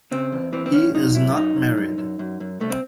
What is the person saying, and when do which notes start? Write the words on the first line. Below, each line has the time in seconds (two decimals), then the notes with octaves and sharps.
He is not married.
0.11 C#3 C4
0.32 E2
0.53 E3 C4
0.66 C4
0.74 E2 C#4
0.95 F#2 D#4
1.15 F#2 E4
1.36 F#2 D#4
1.56 F#2
1.77 F#2
1.98 F#2
2.19 F#2
2.40 F#2
2.60 C2 A3
2.70 C4